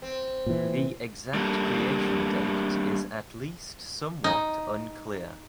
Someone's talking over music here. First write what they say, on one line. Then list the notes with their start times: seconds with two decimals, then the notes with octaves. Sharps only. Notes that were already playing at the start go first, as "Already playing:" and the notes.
The exact creation date is at least somewhat unclear.
0.02 C4
0.46 A#2 E3
1.34 G3 A3 A#3 D4
4.24 D#4